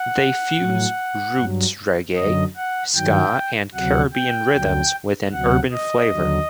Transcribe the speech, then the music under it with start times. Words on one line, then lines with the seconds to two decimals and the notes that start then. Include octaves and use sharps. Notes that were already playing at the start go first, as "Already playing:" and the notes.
They fuse roots reggae, ska and Caribbean rhythms with an urban flavour.
Already playing: F#5
0.58 A2 F#3
1.37 G2 F#3
2.16 F#2 D3 F#3 D#5
2.56 F#5
2.95 G2 D#3 F#3 G5
3.74 D2 C3 F#3 F#5
4.13 G5
4.53 D2 D3 F#3
5.32 D2 C3 F#3 F#5
5.72 D#5
6.11 D#2 D3 F#3